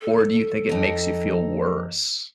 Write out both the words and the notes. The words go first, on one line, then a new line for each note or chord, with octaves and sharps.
or do you think it makes you feel worse?
A4
F2 D#4